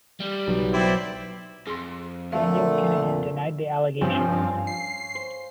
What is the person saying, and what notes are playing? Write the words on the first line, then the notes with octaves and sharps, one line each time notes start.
Daniel Kinahan denied the allegations.
G3
B1
C4 E4 D5
F2 G#4 C6
A#2 D3 A3 E5 F5
G2 F3 C4 C#4
F5
C7
C5